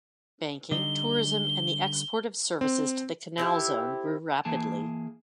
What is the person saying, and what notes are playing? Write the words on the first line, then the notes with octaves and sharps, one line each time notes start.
Banking, tourism, and the export of services to the Canal Zone grew rapidly.
D3 G3 D#4 G7
C4
C4 E4 G4 A4
E3 A#3 G#4 A5